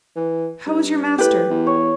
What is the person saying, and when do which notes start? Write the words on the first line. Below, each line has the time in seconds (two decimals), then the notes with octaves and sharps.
How is your master?
0.16 E3
0.66 G2
1.18 A2 G4 B4
1.50 E2
1.67 C#5